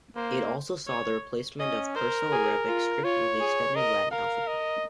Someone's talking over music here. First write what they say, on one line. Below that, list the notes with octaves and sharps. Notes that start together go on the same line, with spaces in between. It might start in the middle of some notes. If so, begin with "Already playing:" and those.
It also saw the replacement of the Perso-Arabic script with the extended Latin alphabet.
A#3 C5
C#5
C#4 D#5
A#4 C5
G#4
F4
F4 C#5
G#4
A#4 D#5
A#4 F5
D#5